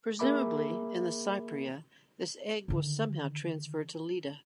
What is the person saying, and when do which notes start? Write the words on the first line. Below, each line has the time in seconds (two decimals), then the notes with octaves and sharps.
Presumably, in the "Cypria", this egg was somehow transferred to Leda.
0.19 A#3 G#4 A#4 E5 B5 D6
2.68 D3 D#3